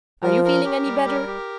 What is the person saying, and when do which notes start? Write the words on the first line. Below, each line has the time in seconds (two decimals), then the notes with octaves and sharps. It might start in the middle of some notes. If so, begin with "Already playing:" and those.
Are you feeling any better?'
0.23 F3 A#4
0.44 A#4
0.65 G4
0.86 G3
1.07 A#4
1.27 G4